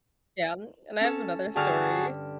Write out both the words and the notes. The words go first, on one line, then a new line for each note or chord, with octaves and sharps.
Yeah. And I have another story of
C#4 A4
G2 D3 F#4 G#4 A5 F6